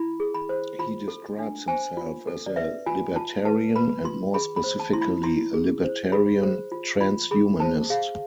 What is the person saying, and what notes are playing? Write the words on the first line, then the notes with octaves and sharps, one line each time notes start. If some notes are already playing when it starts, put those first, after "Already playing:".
He describes himself as a libertarian and more specifically a libertarian transhumanist.
Already playing: E4 B5
G#4
B5
C5
F4 B5
A4
D4
C5 G#5
F4
A4
D5
B4 E5
F4 G#5
F4 A5
B4 A5
B4 B5
F4 C6
G#4 B5
B5
C5
A5
E4 C6
B5
E4 C6
G#4
C5
G#4 B5
C5
F4
F4 B5
G#4 B5
C5 A5
G#4 F5